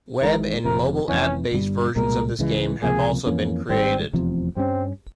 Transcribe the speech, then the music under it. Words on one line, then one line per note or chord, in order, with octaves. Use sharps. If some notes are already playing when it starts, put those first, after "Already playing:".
Web and mobile app based versions of this game have also been created.
G#1 G#2 E3 A#4
F1 F2 C3 A#4
F1 F2 E3 C#4
G1 G2 G3
C2 A#2 G#3 A#4
C#2 C#3 E3 G#3
C#2 C3 F3 A#3 G#4
F2 E3 A#3 C#4
G#1 G#2 G3 C4
F1 E2 C3 F3
G2 G3 C4 C#4